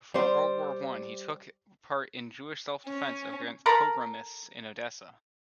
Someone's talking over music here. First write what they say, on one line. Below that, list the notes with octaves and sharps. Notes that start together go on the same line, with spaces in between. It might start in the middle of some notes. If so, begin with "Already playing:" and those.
Before World War One he took part in Jewish self-defense against pogromists in Odessa.
G3 C5
C#4
A4 A#4 A#5 B5